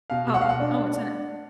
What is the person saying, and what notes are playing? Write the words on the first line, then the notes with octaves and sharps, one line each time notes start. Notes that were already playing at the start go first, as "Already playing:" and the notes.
Oh, oh, it's an
B2 F5
B2
F#5
F5
B2
F#5
D4
D4
D4